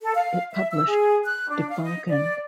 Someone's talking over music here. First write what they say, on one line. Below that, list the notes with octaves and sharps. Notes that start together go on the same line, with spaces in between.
It published "De Fonken".
A4
F5
E5
E6
G#4
F#6
D4
F5
D#5
D5